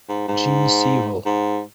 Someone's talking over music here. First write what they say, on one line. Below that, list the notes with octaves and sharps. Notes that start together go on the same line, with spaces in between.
Genes Evol.
G#2
G#2
G#2